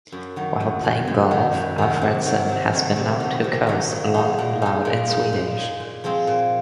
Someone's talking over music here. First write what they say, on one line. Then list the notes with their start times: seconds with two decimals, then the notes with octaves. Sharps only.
While playing golf, Alfredsson has been known to curse long and loud in Swedish.
0.12 F#2
0.36 D#3 F#3
0.60 F#2
0.84 D#3 F#3
1.07 F#2
1.31 D#3 F#3
1.54 F#2
1.78 D#3 F#3
2.01 C3
2.26 D#3 F#3
2.49 C3
2.73 D#3 F#3
2.96 C3
3.20 D#3 F#3
3.44 C3
3.67 D#3 F#3
3.91 A#2
4.14 G#3 D#4
4.38 A#2
4.62 G#3 D#4
4.85 A#2
5.09 G#3 D#4
5.33 A#2
5.56 G#3 D#4
5.80 A#2
6.04 F3 G#3 C4
6.27 A#2